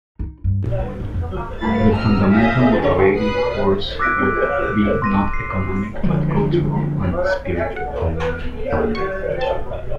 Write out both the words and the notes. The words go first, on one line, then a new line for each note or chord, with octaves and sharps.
The fundamental motivating force would be not economic but cultural and spiritual.
D#4
G2
A#2
G2
G#2
E2
G2 C#3 A3 F5 B5 A6
B2 D#5 A#5 E6 F6
E5 F5 G#5 D#6 G6 A#6
D3 F#3 C#4 A4
A#2 B4 D#6 F#6 C7
D6 E6 F#6 A#6 B6 D7
C6 A#6 D#7
C7
D3 F3 F#3 G#3
F#5
E2
D#2
C#6
A5